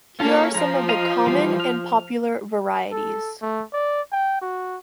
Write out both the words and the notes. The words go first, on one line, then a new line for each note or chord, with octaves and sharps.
Here are some of the common and popular varieties.
A#3 C#4 F4 A4 F5
F3 A#5
D#5 F5 A#5
E3 G3 F5
F6
A4
A3
D5
G5
F#4